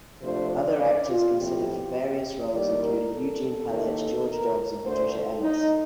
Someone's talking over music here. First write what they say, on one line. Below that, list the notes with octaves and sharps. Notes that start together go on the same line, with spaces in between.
Other actors considered for various roles included Eugene Pallette, George Dobbs and Patricia Ellis.
C3 F3 A3 D4 C5
D5
D5
F4
A2 F3 C4 G4
D#2 D#3 G3 A#3 D5
A#4
A4
D#2 D#3 A#3
A#4
D2 D3 A3 C5
A4
D#4